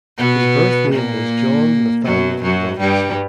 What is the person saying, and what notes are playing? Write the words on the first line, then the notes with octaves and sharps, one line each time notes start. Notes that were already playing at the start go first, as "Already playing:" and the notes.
His birth name was John Nathaniel Robinson.
B2 B3
A#2 A#3
F#2 F#3
F#2 F#3
G2 G3